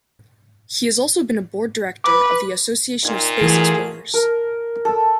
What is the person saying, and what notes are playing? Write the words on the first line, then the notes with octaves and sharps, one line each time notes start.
He has also been a board director of the Association of Space Explorers.
B4 D6
A#2 D#4 G5 G#6
E3 A3 F#4 G#4 A#4
A#4
A4